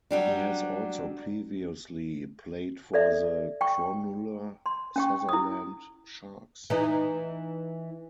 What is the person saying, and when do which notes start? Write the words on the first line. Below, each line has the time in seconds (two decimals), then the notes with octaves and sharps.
He has also previously played for the Cronulla-Sutherland Sharks.
0.11 F#3 G3 D4
2.94 A4 D5 E5
3.61 G5 C#6
4.66 C6
4.96 C#4 G5 C#6
5.29 E4 D#6
6.70 E3 D#4